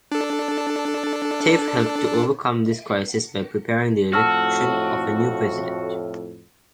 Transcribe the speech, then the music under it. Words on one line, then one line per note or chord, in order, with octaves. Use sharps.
Taif helped to overcome this crisis by preparing the election of a new president.
D4 A4
F2 A2 F#4 A5 E6 F6